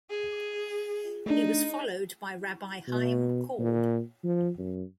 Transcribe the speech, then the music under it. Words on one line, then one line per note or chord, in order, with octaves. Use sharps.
He was followed by Rabbi Chaim Korb.
G#4
A3 D4 D#4
B2
A#2
F3
F#2